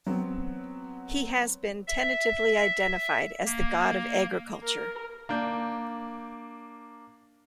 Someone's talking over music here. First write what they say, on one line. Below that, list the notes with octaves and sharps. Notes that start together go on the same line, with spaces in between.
He has been tentatively identified as the god of agriculture.
F#3 B3 C4
E5
A#3
A#4
A#3 D4 G6